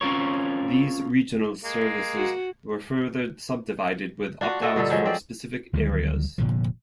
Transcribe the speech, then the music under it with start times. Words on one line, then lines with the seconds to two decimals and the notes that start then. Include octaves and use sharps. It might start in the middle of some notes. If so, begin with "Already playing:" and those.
These regional services were further subdivided with opt-outs for specific areas.
0.01 C4 C#4 F4 A#4 C#5
1.64 G#3 A#3
2.16 F#4
4.41 D4 F4 F#4
4.61 F#4 A4 D#5
4.76 G2 A#2 D3 A4
4.90 F3 F#3 G#3
5.06 C4 D5
5.73 D2 D#3 F#3 G3
6.38 F1 A#2 D3 F3